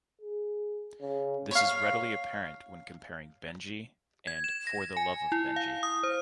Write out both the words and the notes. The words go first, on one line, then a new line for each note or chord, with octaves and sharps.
This is readily apparent when comparing "Benji" and "For the Love of Benji".
G#4
C#3
C#5 F5
G#6
E7
A#6
G#5
E4
F5
D#6
C5